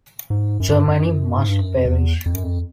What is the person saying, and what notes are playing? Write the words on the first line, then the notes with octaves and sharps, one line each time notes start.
Germany Must Perish!
G#2
F#2
G2
F#2
G#2
G2
F#2
F2
E2
F2
F#2
F2